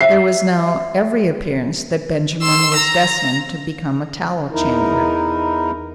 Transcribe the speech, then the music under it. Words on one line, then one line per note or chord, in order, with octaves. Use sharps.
There was now every appearance that Benjamin was destined to become a tallow-chandler.
E5 C7
C6 E6
A#5
E2 D#4 E4 A#4